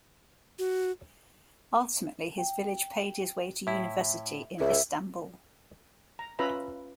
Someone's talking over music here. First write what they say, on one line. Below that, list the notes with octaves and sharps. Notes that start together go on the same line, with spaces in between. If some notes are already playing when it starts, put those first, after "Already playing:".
Ultimately, his village paid his way to university in Istanbul.
F#4
G5
A2 E4 E5
C#2 E5
A#5
C#4 F4 B4 E5 A#5 B5